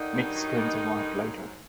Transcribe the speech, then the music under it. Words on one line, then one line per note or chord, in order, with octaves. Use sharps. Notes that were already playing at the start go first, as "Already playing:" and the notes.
Mexicans arrived later.
Already playing: D3 D#3 D#4
G2
F#3
G2
D3
G2
F#3
G#2